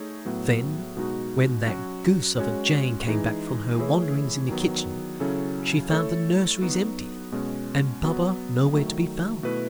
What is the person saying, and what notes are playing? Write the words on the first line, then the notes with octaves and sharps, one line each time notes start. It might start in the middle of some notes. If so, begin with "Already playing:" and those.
Then, when that goose of a Jane came back from her wanderings in the kitchen, she found the nurseries empty, and Baba nowhere to be found.
Already playing: A3 D#4 G#4 C#5
A2 F#3 B3
B2 G#3 D#4 F#4
F#3 C#4 F#4 C#5
G#3 C#4 F#4 C#5
E3 G#3 D#4 G#4
E3 A3 E4 G#4 C#5
D#3 F#3 B3
C#3 F#3 C#4 E4 A4
A3 E4 A4 C#5
F#3 B3 D#4 F#4
B2 G#3 C#4
F#3 B3 F#4
D#3 F#3 A3
B2 A3 E4 B4